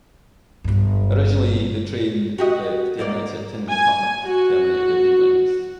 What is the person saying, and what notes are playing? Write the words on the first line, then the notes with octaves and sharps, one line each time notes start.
Originally the train that terminates at Tinley Park terminated at New Lenox.
G1 G2
F#4 G4 D#5
G#2 A#3 D5
G#5
F#4